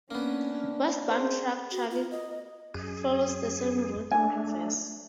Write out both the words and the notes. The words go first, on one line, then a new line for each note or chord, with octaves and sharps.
Westbound truck traffic follows the same route in reverse.
A#3 B3 C#4 D4
C4 G#4 C5
F#4
F4
D#5
F#2 G#4
A3 D4 G#5